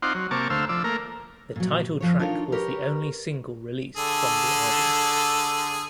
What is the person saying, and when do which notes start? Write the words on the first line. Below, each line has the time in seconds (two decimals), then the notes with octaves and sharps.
The title track was the only single released from the album.
0.02 C4 D#4 F4 D5 F#5 C6
0.14 F#3
0.31 C3 A#3 A5 C#6 D6
0.50 D2 A3 C5 F5 E6
0.69 F3 D5 E6
0.84 A3 A#3 A#4
1.56 A#2 F#3
2.00 F#2 F3 C#5
2.19 D4 D#4 F4 A#4 C5 C#5
2.52 G4 A#4 B4 C#5
3.97 D3 G#4 A4